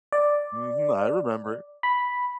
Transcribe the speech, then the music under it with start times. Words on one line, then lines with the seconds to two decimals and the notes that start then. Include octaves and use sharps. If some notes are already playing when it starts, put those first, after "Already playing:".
Mhm, I remember.
0.12 D5
1.83 B5